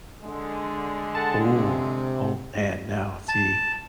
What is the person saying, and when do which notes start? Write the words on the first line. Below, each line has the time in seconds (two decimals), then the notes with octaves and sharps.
Ooh, oh man, now, see
0.23 D3 G#3
1.14 A4 F#5 A5
1.54 C3
3.29 A5